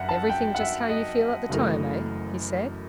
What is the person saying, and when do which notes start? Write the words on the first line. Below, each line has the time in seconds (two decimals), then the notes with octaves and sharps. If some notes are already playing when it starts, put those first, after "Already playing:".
'Everything just how you feel at the time, eh?' he said.
Already playing: G1 F#2 E5 F#5
0.09 A5
0.30 G5
0.55 F#5
0.59 E5
0.89 D#5
1.49 F#1 F#2 E3 A3